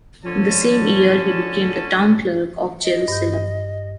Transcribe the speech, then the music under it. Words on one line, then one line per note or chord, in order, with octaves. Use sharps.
In the same year he became the town clerk of Jerusalem.
D3 F3 C#4 A5
D#5
G2 G6